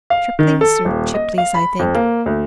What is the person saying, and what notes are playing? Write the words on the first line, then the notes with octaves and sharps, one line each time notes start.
Tripley's or Chipley's, I think.
F5
D#3
A4
D#1
D#5
F5
B5
F2
A#3
D2